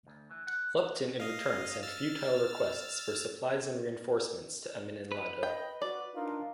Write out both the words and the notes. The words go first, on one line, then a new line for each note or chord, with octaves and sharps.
Lupton in return sent futile requests for supplies and reinforcements to Emin in Lado.
D2
E3
F#5
D#5 F5
E6 F6 A6
B4
D#5 G5
F#4 D5
D4 D#4 F4 A#4